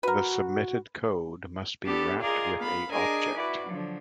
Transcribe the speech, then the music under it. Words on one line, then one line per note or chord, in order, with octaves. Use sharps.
The submitted code must be wrapped with a object.
F#4 A#4 B4
B3 D4 G4 A4
F4 G#4 A#4 D5 D#5
B3 F5 B5
D4 G#4 A#4 D#5 G#5 D6
E4 F#4 B4 D5
D3 F3 F#3